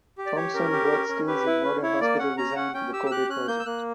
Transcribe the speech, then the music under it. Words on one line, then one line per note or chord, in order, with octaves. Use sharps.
Thompson brought skills in modern hospital design to the Kobe project.
G4
D5
G4 C#5
C#4 A#4
G4
C#4
C#4
G4 B4
E4
C#4
E4 C#5
A#3 D5
C#4 F#5
C#4 A#5
C#4 F#5
C#4 G5
G4 E6
E6
G4 F#6
C#4 F#6
A#3 G6
E6
A#3 F#6